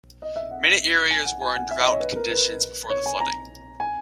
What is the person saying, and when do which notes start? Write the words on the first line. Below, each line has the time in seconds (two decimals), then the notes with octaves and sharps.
Many areas were in drought conditions before the flooding.
0.22 D#5
0.36 E5
0.51 F#5
1.11 G#5
1.25 F#5
1.42 G#5
1.56 F#5
1.71 E5
1.81 D#5
1.91 C#5
2.00 B4
2.16 A#4
2.31 B4
2.90 C#5
3.06 G#5
3.20 A#5
3.80 G#5